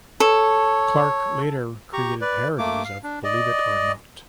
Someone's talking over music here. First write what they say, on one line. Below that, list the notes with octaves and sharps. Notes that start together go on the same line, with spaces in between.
Clarke later created parodies of Believe It or Not!
A4 C#5
G4 A#5 C#6
B4 D5
A3 A#3 D6
F5
D4
D5 D#5